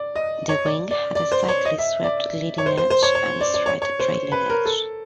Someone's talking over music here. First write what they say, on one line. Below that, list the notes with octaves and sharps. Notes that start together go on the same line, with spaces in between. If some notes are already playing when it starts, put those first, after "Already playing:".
The wing had a slightly swept leading edge and a straight trailing edge.
Already playing: D5
D#5
C#5
D5
D5
D5
C5
C#5
D#5
E5
D5
C#5
C5
C5
C5
C#5
C#5
D5
D5
C#5
C#5
C5
B4
A#4
A4